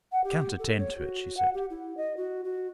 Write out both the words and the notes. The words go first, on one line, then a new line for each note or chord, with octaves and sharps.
"I can't attend to it," she said.
F#5
G4
A4
C#5
F#4
F#5
G4
E4
D#5
F#4
F#4